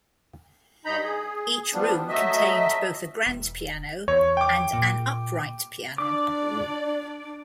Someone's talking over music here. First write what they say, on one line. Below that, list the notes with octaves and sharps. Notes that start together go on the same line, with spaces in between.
Each room contained both a grand piano and an upright piano.
G2 D#4 A#5 B5 G6
G#4
F3 G3 B3 D4
F#3 A3 D#5 E5
E1
E2 C#5
G5 D6
A#2
D4 D5 D6